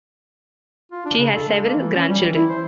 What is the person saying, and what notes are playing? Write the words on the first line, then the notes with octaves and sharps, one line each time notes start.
She has several grandchildren.
F4
D4
C#3
A4
G#3
A#3
E3
C#4
G3
E3
E4
C5